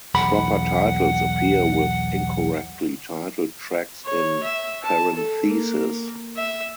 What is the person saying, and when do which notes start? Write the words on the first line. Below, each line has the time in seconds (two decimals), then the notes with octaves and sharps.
Proper titles appear with incorrectly titled tracks in parenthesis.
0.15 B1 E2 F#5 B5
4.05 C#5
4.43 E5
4.83 A5
5.15 A4
5.46 A#3
6.36 E5